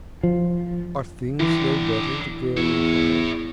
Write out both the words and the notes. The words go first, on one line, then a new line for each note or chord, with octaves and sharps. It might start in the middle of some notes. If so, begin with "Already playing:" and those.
'Are things no better?' the girl inquired.
F3
G2 D3 E3 E4
E2 C#5 E5